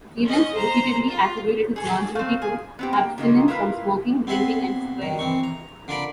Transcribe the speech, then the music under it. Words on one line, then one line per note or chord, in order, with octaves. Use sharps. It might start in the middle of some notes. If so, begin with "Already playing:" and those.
Evans repeatedly attributed his longevity to abstinence from smoking, drinking and swearing.
C#4 D#5
C5 A#5
F4
G#4 A4
A3 C4 F5
G#4 G#5
B3 C4 G4
A#3 G5
C#3 A#3 D#4 F4
E4 F4 A#4 B4 F5
B3 C4 G#4 E5 F#5
G2 D#3
E3 C4 C#6
A#5
D3 D4 F4 A#4 D5 B5